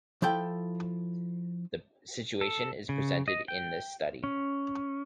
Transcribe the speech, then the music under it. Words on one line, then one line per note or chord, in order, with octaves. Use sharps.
The situation is presented in this study.
F3 E4 A4 G5
A4
C#3
D#5
G5
C#4